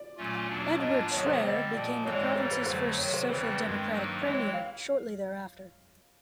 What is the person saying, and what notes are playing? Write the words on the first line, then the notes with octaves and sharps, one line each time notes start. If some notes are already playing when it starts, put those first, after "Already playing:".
Edward Schreyer became the province's first social democratic Premier shortly thereafter.
Already playing: D5
A#2 F#3 A3 C#4 F4
E2 B2 F#3 A#3 D4
G#2 F3 A#3 D4 F4 D#5
E2 C3 D#3 F#3 B3 C#5
C5
D3 G3 C4 D#5
A#2 F3 A#3 D5
G#2 E3 G#3 C4 D#4 C#5
D5
C#5
G#2 E3 G3 C5
B4
F2 D3 F#3 A3 C5
C3 D#3 F#3 C#5
C5
E2 C#3 E3 G3 C4 B4
G2 D#3 G#3 C4
G2 D#3 F#3 A#3 D#4
E3 G#3 C4 E4 C#5
F5